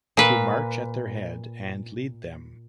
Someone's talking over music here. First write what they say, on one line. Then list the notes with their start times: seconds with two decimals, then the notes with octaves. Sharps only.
To march at their head and lead them.
0.17 A#2 B4